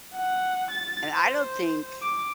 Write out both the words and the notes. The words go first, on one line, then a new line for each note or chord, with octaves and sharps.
and I don't think
F#5
A6
C5
D6